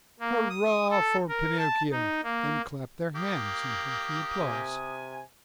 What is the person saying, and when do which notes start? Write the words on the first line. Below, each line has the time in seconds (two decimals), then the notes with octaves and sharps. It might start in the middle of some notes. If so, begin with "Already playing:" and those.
"Hurrah for Pinocchio!" and clapped their hands in hearty applause.
0.20 A#3
0.50 D#6
0.91 A4
1.29 A#4
1.58 A5
1.92 D#4
2.23 A#3
3.15 A#3 G4 D#6
4.40 C3 G#5